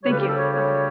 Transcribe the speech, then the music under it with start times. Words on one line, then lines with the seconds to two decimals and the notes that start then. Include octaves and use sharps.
Thank you. Bye-bye.
0.04 D2 C#3 G3 C#5
0.11 B4
0.20 G4
0.28 A4
0.36 C#5
0.52 C#5